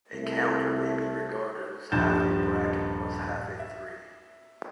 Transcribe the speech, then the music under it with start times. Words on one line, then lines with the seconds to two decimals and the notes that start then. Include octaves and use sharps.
A counter may be regarded as half a bracket plus half a three.
0.12 C2 A3
1.92 D#1 G2 F3 G6 A6 E7
3.59 E5